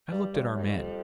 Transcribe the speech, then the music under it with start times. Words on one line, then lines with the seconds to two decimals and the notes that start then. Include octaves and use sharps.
I looked at our men.
0.12 G2 G3
0.34 G2
0.56 F#2
0.63 F2
0.69 E2
0.76 F2